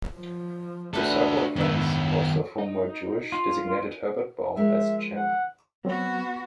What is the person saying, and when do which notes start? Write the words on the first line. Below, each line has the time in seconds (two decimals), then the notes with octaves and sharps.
The circle of friends, most of whom were Jewish, designated Herbert Baum as chairman.
0.14 F3
0.94 A3 D4 F#4 G4 A4 B4
1.56 G#2 D#3 F#3 B3 E4
2.58 D#4
3.32 F4
4.56 F3 G#3 A#4 E5
5.15 F#5
5.85 F#3 B3 C4 F#4